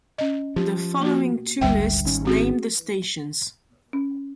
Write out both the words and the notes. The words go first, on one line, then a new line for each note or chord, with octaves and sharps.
The following two lists name the stations.
C#4 D#5
F3 G4
A#3 F#4
G#1 D2 G3 E5 G5
G#1 D#3 C#4
C4 F#4 G#4
C#4